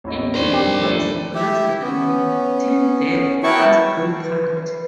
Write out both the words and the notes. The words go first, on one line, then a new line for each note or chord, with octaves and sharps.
In Japan they symbolise the idea "till death us do part".
A1 E4 D#5
F2 D#3 D4 A#4 C5
G4
A3 D4 D5
E4 G4 E5
B3 C#4
B3 E4 F#4 A#4 C#5 G5 A5 C#6
B4
B4